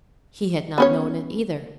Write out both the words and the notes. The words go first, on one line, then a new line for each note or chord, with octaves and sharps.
He had not known it either.
B3 C#4 C#5